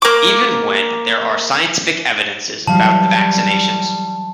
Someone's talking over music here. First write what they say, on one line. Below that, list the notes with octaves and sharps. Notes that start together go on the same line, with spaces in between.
Even when there are scientific evidences about the vaccinations.
A#3 D6
E3 F#3 G3 F5 A5